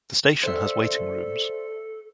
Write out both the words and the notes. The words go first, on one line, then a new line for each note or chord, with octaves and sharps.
The station has waiting rooms.
A4 C5 D5 E5